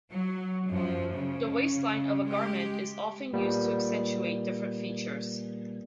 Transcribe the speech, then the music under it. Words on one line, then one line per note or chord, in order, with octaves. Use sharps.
The waistline of a garment is often used to accentuate different features.
F#3
F#2 F3
C#3
G#3 G4
A#2 G3 A#3 B3